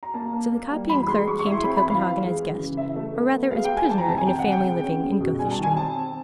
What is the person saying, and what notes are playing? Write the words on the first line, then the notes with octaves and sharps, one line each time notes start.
So the copying-clerk came to Copenhagen as guest, or rather as prisoner in a family living in Gother Street.
A#5
A#3 A5
A#3
A#3
G3
E3 B5
G#3 C6
G#3 C#6
C#6
E4
C6
C4 B5
B5
E3
F5
E3
G#3
E3
C#3
E3 E5
A3
B3
B3
G#3 F5
G5
G#3
G#5
E3 A5
A#5
C3 A5
G#5
C3 G5
F#5
C3
G5
G#3
C#4
G#3
B2
G3 G#5
A5
D#3
G#5
C4 A5
C4